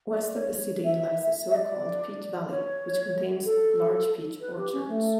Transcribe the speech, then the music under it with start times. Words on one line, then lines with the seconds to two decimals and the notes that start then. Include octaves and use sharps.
West of the city lies the so-called Peach Valley which contains large peach orchards.
0.12 D5
0.35 C#5
0.59 C#5
0.83 E5
1.50 E5
1.54 D5
2.50 C#5
3.45 A4
4.40 B4
4.56 G4
4.72 C#4
4.88 A3